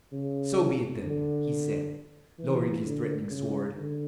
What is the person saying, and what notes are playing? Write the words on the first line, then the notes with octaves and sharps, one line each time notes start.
"So be it then," he said, lowering his threatening sword.
C#3
D3
E3
D3
C#3
D3